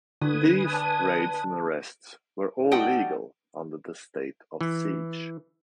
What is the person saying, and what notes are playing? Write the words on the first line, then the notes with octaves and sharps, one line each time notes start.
These raids and arrests were all legal under the state of siege.
D3 B4 G#5 D#6
D4
G3 A3 D#4 F#4 F#5 G5
E3